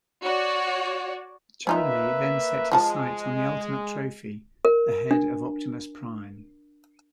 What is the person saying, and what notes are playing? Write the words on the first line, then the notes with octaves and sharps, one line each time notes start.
Cholmondeley then set his sights on the ultimate trophy, the head of Optimus Prime.
F#4 C#5 D5
A#3 C#4 D#4 F4 B4 E5
F3 G#3 F4 A5
A#4
D4